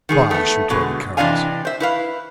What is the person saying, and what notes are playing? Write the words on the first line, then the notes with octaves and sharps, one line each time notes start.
"Bosh!" retorted Carnes.
D#3 G#3 G#4
A3 B3
B2 D3 G#3
C3 E3 D4 D#5 F5 G#5
C5 E5
E4 B4 F5